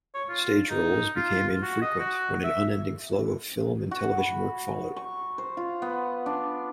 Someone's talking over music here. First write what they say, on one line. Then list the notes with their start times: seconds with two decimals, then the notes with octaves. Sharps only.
Stage roles became infrequent when an unending flow of film and television work followed.
0.14 C#5
0.29 F4
0.70 D#4
1.16 F4
1.62 F#4
1.82 D#5
1.99 F#4
2.44 E5
3.91 F#4
4.18 B5
4.96 C#6
5.38 C5
5.57 F4
5.82 B3
6.26 D4